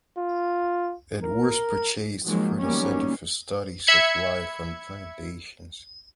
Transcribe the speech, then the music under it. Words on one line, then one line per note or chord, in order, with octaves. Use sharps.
It was purchased for their Center for Studies of Life on Plantations.
F4
A#4
D#3 F3 F#3 G#3 A#3
D#3 F#3 G3 A#3 B3 C#4
E5 B5 G#6 C#7